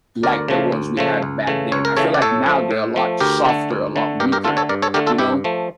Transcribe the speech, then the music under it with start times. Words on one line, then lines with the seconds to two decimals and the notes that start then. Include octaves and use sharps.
like the ones we had back then, I feel like now they're a lot softer, a lot weaker, you know?
0.23 D2 A#4 D5
0.48 C#3 F3 A3
0.72 D2
0.97 C#3 F3 A3
1.22 C#2
1.47 C#3 E3 A3
1.72 C#2 C#5
1.85 A#4
1.97 C#3 E3 A3 A4 C#5
2.14 D5
2.22 A2 A4 C#5
2.46 F3 A3
2.71 A2
2.96 F3 A3
3.20 D2 G4 A#4
3.45 D3 A3
3.71 D2
3.96 D3 A3
4.20 G2 G4 A#4
4.32 G4 A#4
4.44 A3 F4 A4
4.48 D3
4.57 A4 C#5
4.69 G2 A#4 D5
4.82 A4 C#5
4.94 D3 A3 G4 A#4
5.06 F4 A4
5.18 G2 E4 G4
5.44 F3 A3